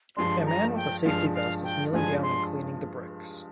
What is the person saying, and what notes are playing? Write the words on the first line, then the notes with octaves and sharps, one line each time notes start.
A man with a safety vest is kneeling down and cleaning the bricks.
G2 F3 G#3 D4 C6
A#5
G5
G2 F3 G#3 D4 F5
F5
G5
G2 F3 G#3 D4 G#5
C6